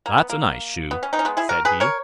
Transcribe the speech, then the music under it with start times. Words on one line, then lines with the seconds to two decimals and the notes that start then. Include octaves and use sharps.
'That's a nice shoe', said he.
0.06 A#3
0.18 B3
0.30 A#3
0.91 B3
1.03 C#4
1.13 B3 D#4
1.19 C#4
1.25 G#3 B3
1.37 E4 G#4
1.49 F#4 A#4
1.65 G#4 B4
1.80 A#4 C#5